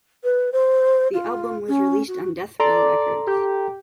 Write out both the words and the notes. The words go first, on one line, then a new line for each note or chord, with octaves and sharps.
The album was released on Death Row Records.
B4
C5
F4
C#4
F#4
A4 D5 A#5 C6
G4